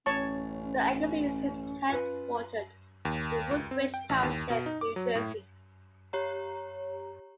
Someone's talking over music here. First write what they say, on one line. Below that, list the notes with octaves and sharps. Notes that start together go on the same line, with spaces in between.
The agency is headquartered in Woodbridge Township, New Jersey.
A1 C#4 C#5 A5 C#6
F4 B4
D#2
C#2
C4
G5
A1
D#2
B2
D#4
D6
F#3
A2
G4 C#5 A#5